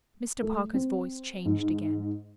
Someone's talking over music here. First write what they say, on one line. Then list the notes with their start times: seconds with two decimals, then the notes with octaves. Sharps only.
Mr. Parker's voice changed again.
0.43 A3
0.74 C4
1.45 G#2